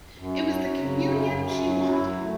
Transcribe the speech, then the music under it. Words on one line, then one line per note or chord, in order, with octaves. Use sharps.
It was the communion she wanted.
F#2
F#3
C#3
F#2
F#2
F#3
E4
A3